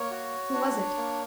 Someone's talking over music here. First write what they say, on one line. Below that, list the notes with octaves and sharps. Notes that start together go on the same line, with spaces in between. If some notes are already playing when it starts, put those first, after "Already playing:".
"Who was it?"
Already playing: A#3 C#5
F#4
D4
A#3